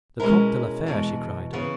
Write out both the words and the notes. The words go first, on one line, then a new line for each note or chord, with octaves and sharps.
"The Comte de la Fere!" she cried.
B2 G#3 C#4 E4 A#4
E2 B2 G#3
C#3 E3 B3